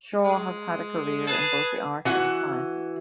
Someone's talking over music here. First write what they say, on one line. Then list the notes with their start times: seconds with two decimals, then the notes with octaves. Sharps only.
Shaw has had a career in both the arts and the sciences.
0.24 G#3
1.27 G#4 B4 A5
2.05 E3 F#4 F#5